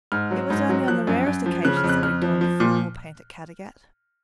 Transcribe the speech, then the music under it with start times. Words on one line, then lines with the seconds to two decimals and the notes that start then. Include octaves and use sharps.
It was only on the rarest occasion that we donned full war-paint at Caddagat.
0.12 G#2 F6
0.31 F#3
0.50 G#2
0.69 F#3
0.88 F3 F#6
1.07 F#2
1.26 F#2
1.46 F3
1.65 C#3 F#6
1.77 F6
1.84 F2
1.89 F#6
2.03 F2 F6
2.22 F3
2.41 F3
2.60 A#2